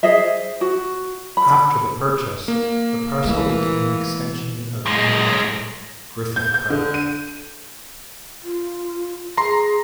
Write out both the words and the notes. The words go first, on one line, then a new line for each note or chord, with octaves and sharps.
After the purchase, the parcel became an extension of nearby Griffith Park.
G#4 C5 D#5 E5
F#4
B5
A#3
E3 G#3 A3
F#2 G#3
G6
G6
D3
D#7
F4
G#4 A#5 C6